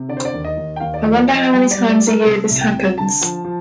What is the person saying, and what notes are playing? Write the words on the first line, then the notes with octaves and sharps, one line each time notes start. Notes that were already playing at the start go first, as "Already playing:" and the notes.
I wonder how many times a year this happens.
Already playing: C3
D3 D5
C5
D5
D#2
D#5
D#2
G5
D#2 F5
D5
D#5
F3
D5
F3
D#5
G3 G5
D5
G3
D5
G3
A#4
C3 A4
C2
G5
C3
D3 A5
F3
F3